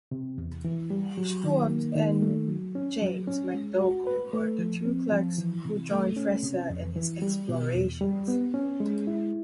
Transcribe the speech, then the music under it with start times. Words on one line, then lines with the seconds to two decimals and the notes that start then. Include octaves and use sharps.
Stuart and James McDougall were the two clerks who joined Fraser in his explorations.
0.11 C3
0.38 E2
0.65 E3
0.90 G3
1.18 F#3
1.44 D#3
1.70 A#3
1.95 D#3
2.22 A3
2.48 F#3
2.75 C#4
3.01 F#3
3.27 C#4
3.54 G#3
3.81 F#4
4.07 B4
4.33 A3
4.59 F3
4.85 C4
5.12 F3
5.38 E3
5.65 C3
5.91 A3
6.16 C#4
6.43 C3
6.70 F2
6.96 E3
7.22 G3
7.49 B2
7.75 E2
8.01 G3
8.28 B3
8.54 C#4
8.80 G#3
9.07 E4